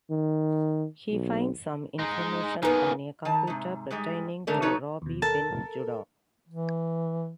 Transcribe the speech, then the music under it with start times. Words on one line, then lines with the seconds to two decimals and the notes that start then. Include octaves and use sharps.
He finds some information on a computer pertaining to Rabbi Ben-Judah.
0.10 D#3
1.11 B1
1.99 G#3 D#4
2.63 A#3 B3 D#4 G#4
3.25 D#3 A5
3.47 G#2 C3
3.91 G#2 G3 G#3
4.47 G#2 D3 A3 A#4 D5
4.62 F3 D#4 F#4 A4 B4 C#5
5.02 D#2 B2
5.22 A4 A#4 A5
6.49 E3